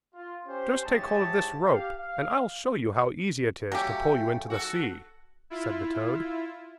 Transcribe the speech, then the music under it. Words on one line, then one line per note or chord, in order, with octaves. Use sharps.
"Just take hold of this rope and I'll show you how easy it is to pull you into the sea," said the toad.
F4
C#4 G4 C5
G#2 E4 G4 G#4 C#5 A5
G4 F5
F5
F#3 A3 G4 F5 G5 G#5
F#4 A4
E4 F4